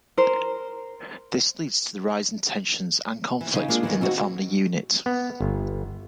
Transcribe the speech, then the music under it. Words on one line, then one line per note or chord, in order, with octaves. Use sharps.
This leads to a rise in tensions and conflicts within the family unit.
A#4 C5
E3
C#3 D#4
G#3 A#3 D4 E4 F4 G#4
D#2 D#3 E3
C4 D#4 F#4
B3
G1